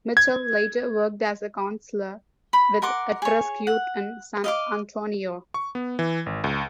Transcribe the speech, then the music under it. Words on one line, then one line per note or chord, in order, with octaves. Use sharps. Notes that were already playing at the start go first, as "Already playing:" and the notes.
Mitchell later worked as a counselor with at-risk youth in San Antonio.
G#6
B5
A#4 F#5 C6 D6
G#4 C#5
F#5
D#5 F5 D6
C#6
B3
E3
G#1
C#2